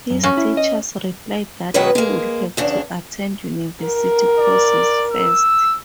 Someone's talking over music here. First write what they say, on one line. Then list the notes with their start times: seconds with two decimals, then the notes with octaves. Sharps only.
His teachers replied that he would have to attend university courses first.
0.10 F#2
0.23 C#4 F#4
0.37 E4
0.57 D#5
1.74 B2 D#3 F#3 G#3 C#4 B4
1.95 G#3 A#3
2.57 E2 C#3 D4
3.85 A#4
4.38 D5
5.11 E6